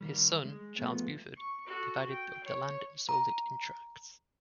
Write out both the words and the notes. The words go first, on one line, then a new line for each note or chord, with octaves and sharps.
His son, Charles Buford, divided up the land and sold it in tracts.
D#3 G3
G#3
G#2 F3 A3 B3
C#6
F#4 A4
G5
C#5
A#5